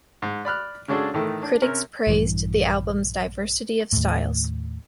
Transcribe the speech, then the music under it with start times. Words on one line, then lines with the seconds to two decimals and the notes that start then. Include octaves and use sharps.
Critics praised the album's diversity of styles.
0.22 G#2
0.45 D5 B5 F6 F#6
0.88 C#3 G#3 D4 F#4 A4
1.14 A2 D#3 E3 A3
1.43 D4
1.62 C3 C#4 A#4
2.07 A#1 G2 E3
3.93 D#2 A2